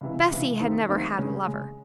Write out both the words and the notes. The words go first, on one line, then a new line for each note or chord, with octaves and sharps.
Bessy had never had a lover.
C#2 C3 E3
C#2 C3 E3
D#2 D#3 A3 C4 D#4
D#2 D#3 A3 C4 D#4
C#3 G#3 C#4
C#3 G#3 C#4